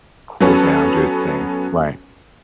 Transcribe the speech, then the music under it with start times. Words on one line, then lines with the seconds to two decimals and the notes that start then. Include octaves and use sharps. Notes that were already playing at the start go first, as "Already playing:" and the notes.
Cool down, just seeing Right.
0.40 F#3 B3 C#4 A4 B4